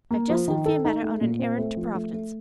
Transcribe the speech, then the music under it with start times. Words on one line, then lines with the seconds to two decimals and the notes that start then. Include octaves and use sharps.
I have just sent Fiametta on an errand to Providence.
0.11 A#3
0.30 F3
0.48 D#3
0.66 A4
0.85 D#4
1.03 A3
1.21 A#2
1.39 C4
1.58 A3
1.77 F3
1.95 A3
2.13 A3